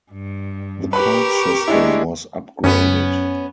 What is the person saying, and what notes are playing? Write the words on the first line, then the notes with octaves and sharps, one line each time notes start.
The park system was upgraded.
G2
G4 A#4 B4 B5 C#6
G#3 D4 E4
F#2 B3 C#4